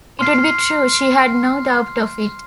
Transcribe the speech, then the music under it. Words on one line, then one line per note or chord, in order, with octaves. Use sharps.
It would be true; she had no doubt of it.
C6 F6 C7